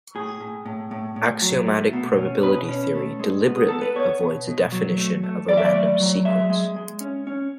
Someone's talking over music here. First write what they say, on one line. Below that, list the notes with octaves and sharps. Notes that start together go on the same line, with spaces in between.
Axiomatic probability theory "deliberately" avoids a definition of a random sequence.
A2 G#4
A2
A2
A2
A2
F#3
A3
B2
C#4
B2 B4
C#4
A3
G#3
B3
G#4
B3 A4
B4
B3 C#5
B2
B2
F#3
A3
A3
F#3 D5
E5
D5
A3
F#3
G#3 E5
G#3
G#3
C#4
C#4